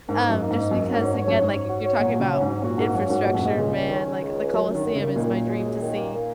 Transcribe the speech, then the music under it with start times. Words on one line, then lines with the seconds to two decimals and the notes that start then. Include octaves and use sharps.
Um, just because, again, like, you're talking about infrastructure, man. Like, the Colosseum is my dream to see.
0.08 G#2 A#3
0.25 F#2 D#4
0.41 A#3
0.50 G#2
0.56 D#4
0.71 F#2 A#3
0.88 G#2 F#3
1.03 C#5
1.14 G#2
1.19 C#5
1.28 F#2
1.36 C#5
1.41 G#2
1.51 C#5
1.67 F#4
1.83 C#5
1.99 A#2 F#3
2.14 F#3
2.20 C#3
2.31 C#4
2.41 G#2
2.47 F#3
2.62 A#2 F#4
2.78 G#2 A#3
2.95 F#2 C#4
3.09 G#2 F#4
3.25 C#2 A#2
3.35 F#2
3.42 G#2 G#3
3.50 A#2
3.58 C#2 C#3
3.73 C#4
3.89 D#3 C#4
4.05 C#3
4.21 C#2
4.38 C#4
4.53 F#2 F#3
4.68 F#2
4.75 D#3
4.85 F#2
4.95 F#2 C#3
5.16 A#2 D#3
5.33 F#2
5.48 G#3
5.64 F#2
5.80 D#3
5.95 A#3
6.11 A#3